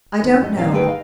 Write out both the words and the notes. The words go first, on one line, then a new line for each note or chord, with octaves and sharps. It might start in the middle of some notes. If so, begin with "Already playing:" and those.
I don't know.
D#2
F2 F#4 D#5
A#2 F#3 C4 C#4 F5
D#3 A3 D#4 G#4 B4 G5
D#5 F5